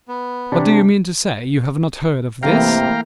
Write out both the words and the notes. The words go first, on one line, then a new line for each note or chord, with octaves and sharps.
But do you mean to say you have not heard of this?
B3
C3 D4
C3 E3 A3 A#3 F5 G5 A#5